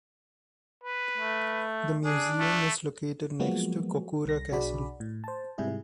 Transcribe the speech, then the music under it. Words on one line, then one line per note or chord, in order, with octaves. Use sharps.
The museum is located next to Kokura Castle.
B4
A3
D4 G#4
A3
F3 F#3 G#3 A#3 B3 F#4
C2 A#6
B1 D4 F#4 G#4 D5 B5
A2
C5 A5
G#2 C3 G3 E4 G#4